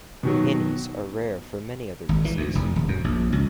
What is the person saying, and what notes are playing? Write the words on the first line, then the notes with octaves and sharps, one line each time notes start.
Hinnies are rare for many other reasons.
B2 D#3 F#3
G#1
E3
D2
F1
D#1
F#2
A#1
C#2